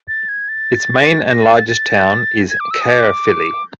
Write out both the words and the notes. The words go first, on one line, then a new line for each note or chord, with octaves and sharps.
Its main and largest town is Caerphilly.
A6
G#6
A6
A#6
A6
A6
A6
G#6
D6
E6
D#6
D6